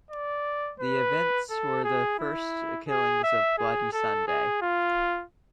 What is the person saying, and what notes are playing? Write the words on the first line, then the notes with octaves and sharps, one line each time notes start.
The events were the first killings of Bloody Sunday.
D5
B4
A4
G#4
E4
G#4
E5
G#4
A4
G#4
F4